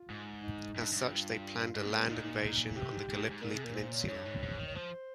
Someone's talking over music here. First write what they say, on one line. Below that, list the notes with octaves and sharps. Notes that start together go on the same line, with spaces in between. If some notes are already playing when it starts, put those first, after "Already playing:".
As such they planned a land invasion on the Gallipoli Peninsula.
Already playing: F4
G#2
D#4
G2
G2
F4
F4
G#2 D#4
A#2 C4
G#2 A#3
C4
A#2 D#4
A#2
C3 G4
G#2
G#2
A#2
G#2
G#2
A#2 A#4
C3 G#4
A#2 A#4
C5
C#5
G#2 C#5
G2
G#2
G2
G#2
D#3
C#5
F3 C5